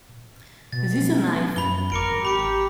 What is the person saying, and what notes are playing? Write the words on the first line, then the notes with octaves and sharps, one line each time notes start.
This is a knife!
B2 A6
B3
F#2 B5 G7
G#1 A#4 D6 C#7 D7
G4 B5 D6 C#7